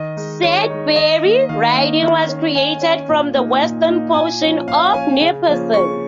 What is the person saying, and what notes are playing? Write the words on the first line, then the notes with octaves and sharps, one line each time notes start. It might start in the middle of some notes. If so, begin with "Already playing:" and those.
Sudbury riding was created from the western portion of Nipissing.
Already playing: D#3 D#5
G#3 D#4
D#3 C#5
G#3 D#4
D#3 D#5
A#3 D#4
D#3 F5
A#3 D#4
D#3
C#4
D#3 G#5
C#4
A#2
A#3 D#4
A#2
A#3 D#4
A#2 G#5
F3 C#4
A#2 F5
F3 C#4 G#5
C#3
F3 A#3 C#4
C#3 C#6